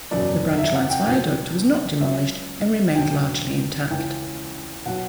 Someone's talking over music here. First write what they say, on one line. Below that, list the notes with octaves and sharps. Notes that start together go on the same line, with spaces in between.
The branch line's viaduct was not demolished and remained largely intact.
F#1 E2 B2 F#3 D5
E5
F#5
G5
C#2 B2 F#3 G5
C#2 C#3 F#3 E5
E1 D2 D3 F#3 G5
G5
C#2 C#3 E3 G5
B2 F#3 F#5